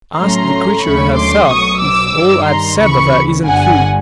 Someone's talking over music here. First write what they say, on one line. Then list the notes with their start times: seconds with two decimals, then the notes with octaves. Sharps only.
Ask the creature herself if all I've said of her isn't true.
0.18 A2 F#3 A3 C#4 A#5 C6
0.83 D#2 D3 F#3 A3 C#4 B5 C#6
1.16 C6 D6
1.48 B1 B2 F#3 C#6 D#6
1.81 D6 E6
2.14 G2 D#3 G3
2.47 A#5 C6
2.80 D2 C#3 E3 B5 C#6
3.45 G1 G2 D3 G3 F#5 G#5